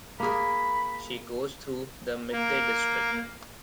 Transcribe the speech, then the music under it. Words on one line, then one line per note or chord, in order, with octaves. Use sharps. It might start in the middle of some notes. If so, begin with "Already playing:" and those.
She goes through the Mitte district.
A#3 G#4 B5
A#3